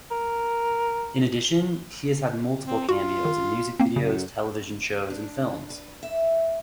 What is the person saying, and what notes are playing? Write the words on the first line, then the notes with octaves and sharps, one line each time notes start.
In addition, he has had multiple cameos in music videos, television shows, and films.
A#4
C4
F4 F#4
D#3
A#3 C4
F#2 C#3
D4
B4
E5